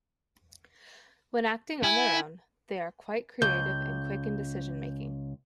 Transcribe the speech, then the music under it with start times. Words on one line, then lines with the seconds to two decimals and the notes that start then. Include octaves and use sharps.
When acting on their own, they are quite creative and quick in decision making.
1.83 E4 G#5
3.42 C#2 G6